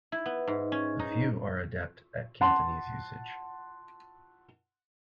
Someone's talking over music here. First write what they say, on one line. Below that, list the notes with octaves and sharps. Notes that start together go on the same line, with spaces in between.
A few are adept at Cantonese usage.
E4
B3
G#2
C#4
D#4
F#5 A5 C6